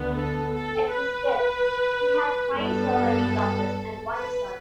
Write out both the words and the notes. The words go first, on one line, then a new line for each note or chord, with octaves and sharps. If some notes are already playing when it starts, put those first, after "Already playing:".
At his death he had five surviving daughters and one son.
Already playing: D2 D3 B3
A4
A4
B4
G2 G3 B3 A4
B4